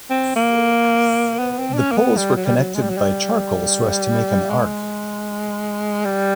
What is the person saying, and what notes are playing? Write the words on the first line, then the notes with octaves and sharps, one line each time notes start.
The poles were connected by charcoal so as to make an arc.
C4
A#3
B3
C4
D4
C#4
A#3
B3
G3
F#3
G3
F#3
G#3
G3
F#3
G3
G#3
G3